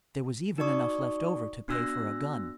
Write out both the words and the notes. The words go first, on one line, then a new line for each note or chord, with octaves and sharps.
There was even enough left over to pay for a gun.
D#4 F#4 D5 C#6 D#6
B3 D4 F#4 E6 F#6 A#6